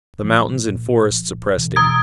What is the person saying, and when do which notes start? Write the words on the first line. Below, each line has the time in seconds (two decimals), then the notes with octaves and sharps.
The mountains and forests oppressed him.
0.24 A#2 F3
1.57 B2 E3
1.76 A#5 D#6 G#6